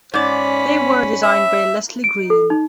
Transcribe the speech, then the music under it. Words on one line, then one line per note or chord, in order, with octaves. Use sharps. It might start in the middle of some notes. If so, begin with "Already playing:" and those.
They were designed by Leslie Green.
G#2 C#4 D5 B5
E5
D7
A4
D#4